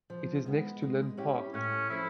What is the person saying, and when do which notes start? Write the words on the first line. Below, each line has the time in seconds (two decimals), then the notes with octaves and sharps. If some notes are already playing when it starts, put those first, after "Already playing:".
It is next to Linn Park.
0.10 F3
0.46 G#3 B3
0.82 G#3
1.17 C#4 E4 G4
1.54 A2 C#4
1.89 F3 A3 E4